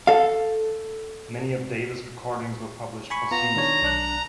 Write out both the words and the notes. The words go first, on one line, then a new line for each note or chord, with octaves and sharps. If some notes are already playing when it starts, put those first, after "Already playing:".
Many of Davis' recordings were published posthumously.
A4 F5
G#5 B5 C#6
B3 F4 A#5
D#3 D4 C#5
B1 D4 F#6